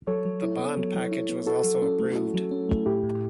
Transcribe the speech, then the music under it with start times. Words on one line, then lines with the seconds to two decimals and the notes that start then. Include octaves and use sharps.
The bond package was also approved.
0.07 F#3 A4 C#5
0.25 F#3
0.42 E4
0.59 B3
0.77 F#3
0.95 F#3
1.12 E4
1.29 B3
1.46 E4 F#4 A4
1.64 F#3
1.82 C#4
1.99 A3
2.16 E4
2.34 F#3
2.51 C#4
2.69 A3
2.86 A2 E4 G4
3.03 A2